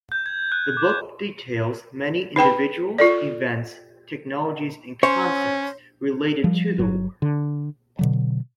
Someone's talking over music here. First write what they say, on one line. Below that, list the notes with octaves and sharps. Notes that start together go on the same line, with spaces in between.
The book details many individuals, events, technologies, and concepts related to the War.
G6
G#6
F#6
D6
D#4 B4 G5 B5
F4 A4 D5
C#4 C5 C#5
F3 G3
G1 F#3
D3
B2 D3 F#3